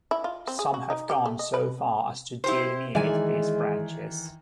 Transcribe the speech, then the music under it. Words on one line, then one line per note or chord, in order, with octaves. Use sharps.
Some have gone so far as to delineate these branches.
E4
F4
C4
G#4
F#4
D#4
G4
A3
D#5
B4
E4 G4 C5
D#3 E3 G#3 D5 G#5